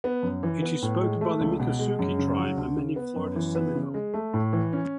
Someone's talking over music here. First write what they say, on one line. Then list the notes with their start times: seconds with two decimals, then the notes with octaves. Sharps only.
It is spoken by the Miccosukee tribe and many Florida Seminole.
0.04 B3
0.23 F#2
0.43 E3
0.62 B3
0.82 A2
1.01 G#3
1.21 A3
1.41 C#2
1.60 B2
1.79 G#3
1.99 F#2
2.19 C#3
2.38 F#3
2.57 D2
2.77 C#3
2.96 B3
3.16 F#2
3.36 E3
3.55 B3
3.75 C#3
3.94 G#3
4.14 A3
4.34 A2
4.53 E3
4.73 C#4